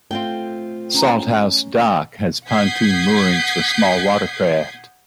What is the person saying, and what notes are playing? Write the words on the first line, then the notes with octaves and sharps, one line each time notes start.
Salthouse Dock has pontoon moorings for small watercraft.
A3 C4 F4 G5
C#4 D#4 A#5
F#5 D#6 G6 G#6 B6 C7